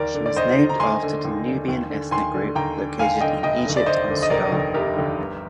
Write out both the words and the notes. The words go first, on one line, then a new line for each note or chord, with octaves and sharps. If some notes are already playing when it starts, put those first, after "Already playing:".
She was named after the Nubian ethnic group, located in Egypt and Sudan.
Already playing: D#2 A#4 D5
D3
D5
D#2 C5 D#5
D3
A#5
D#2 G#5 C6
D3
D#2
D3
D#2
D3
D#2 G#5 C6
D3
D#2 G5 A#5
D3
D#2 F5 G#5
D3 D#5 G5
F1 D#5 G5
D#2 D3
D5
F1 C5 D#5
D#2 D3
D#5
F1 A#4 D5
D#2 D3
F1 G4 A#4
D#2 D3
G1